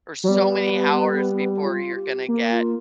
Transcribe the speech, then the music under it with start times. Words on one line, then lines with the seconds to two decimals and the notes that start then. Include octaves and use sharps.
or so many hours before you're gonna get
0.24 F#3
0.28 G3 B3
1.62 F4
1.94 G4
2.28 A#3
2.51 F4